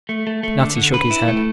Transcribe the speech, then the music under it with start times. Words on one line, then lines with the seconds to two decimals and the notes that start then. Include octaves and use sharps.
Natty shook his head.
0.09 A3
0.27 A3
0.43 A3
0.60 D3
0.76 D3
0.94 B4
1.11 E4
1.28 A3